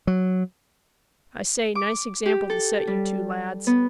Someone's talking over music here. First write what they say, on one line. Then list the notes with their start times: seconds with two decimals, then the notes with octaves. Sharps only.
I say, nice example to set you two lads.
0.07 F#3
1.75 D6
2.26 G4
2.50 A4
2.87 G3
3.67 B3